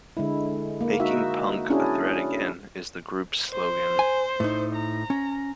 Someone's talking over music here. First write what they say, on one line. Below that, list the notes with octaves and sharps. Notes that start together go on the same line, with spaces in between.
"Making punk a threat again" is the group's slogan.
D3 G#3 E4
A#3
D#4 F#4 E5
C#4 D4 E4 F#4 G#4
C5
G#5
A2 D#4
A#5
C#4